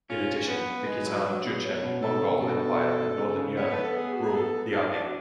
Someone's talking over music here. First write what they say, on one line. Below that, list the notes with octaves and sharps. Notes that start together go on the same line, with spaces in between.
In addition, the Khitan, Jurchen, Mongol Empire and Northern Yuan ruled Liaoning.
C#4 F4
C#4
B3 B4
G#3
F#3
F#3
B2
C#5
B2
B2 A4
C#3
B2 A4
C#3
C#3
B3 C#5
A3 B4
B3
A4
G#4
F#4
G#4
A4
D4 F5
D4 D5
F#4